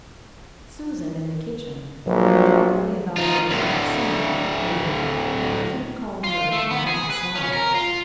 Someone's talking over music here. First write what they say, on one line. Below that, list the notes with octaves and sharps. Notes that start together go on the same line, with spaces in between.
Susan, in the kitchen, went doggedly about her work, singing, meanwhile, what Keith called her "mad" song.
A#1 F#3 B4
D#4 F4
D2 A2
F4
A3
B3
G#4
B4
C#4
A#4
F4